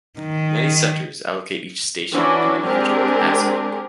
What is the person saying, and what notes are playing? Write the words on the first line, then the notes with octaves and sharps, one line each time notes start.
Many centres allocate each station an individual pass mark.
D#3
E3 F3 C#4 D4 E4 F#4
G#3 C4 D4 G4 G#4 A#4